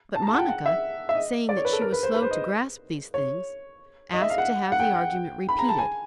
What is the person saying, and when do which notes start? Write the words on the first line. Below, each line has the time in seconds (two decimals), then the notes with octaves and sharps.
But Monica, saying that she was slow to grasp these things, asked to have the argument repeated.
0.16 A5
0.22 A#5
0.27 A5
0.33 F#5
0.38 G5
0.49 F#5
0.66 E5
1.09 E5
1.15 D#5
1.49 D5
1.57 C#5
1.65 B4
1.73 A4
1.81 A#4
1.92 B4
2.03 C5
2.15 B4
2.22 C5
2.31 D#5
3.14 C#5
4.13 D#5
4.22 E5
4.30 F5
4.38 F#5
4.72 F#5
4.80 G5
5.49 B5
5.58 A#5
5.69 A5
5.79 G#5